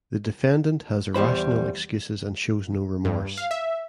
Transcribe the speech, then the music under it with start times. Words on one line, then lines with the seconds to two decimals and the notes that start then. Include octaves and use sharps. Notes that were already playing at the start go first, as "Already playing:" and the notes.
The defendant has irrational excuses and shows no remorse.
1.15 E2 G3 C5 B5
3.05 G2
3.37 F5
3.51 E5